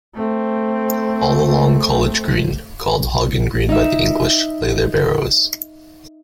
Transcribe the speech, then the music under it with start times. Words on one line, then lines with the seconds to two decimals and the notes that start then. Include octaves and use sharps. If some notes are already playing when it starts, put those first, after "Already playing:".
All along College Green, called Hoggen Green by the English, lay their barrows.
0.14 A3 C4
3.69 D#4 E5